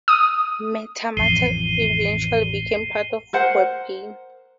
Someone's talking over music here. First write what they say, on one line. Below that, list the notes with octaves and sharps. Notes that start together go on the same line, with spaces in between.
Metamata eventually became part of WebGain.
D#6
A1 F2 C7 D#7 G7
A#4 C5 F#5